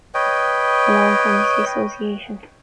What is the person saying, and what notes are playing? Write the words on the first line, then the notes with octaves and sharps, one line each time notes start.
Along Comes the Association.
B4 C#5 D#5 G5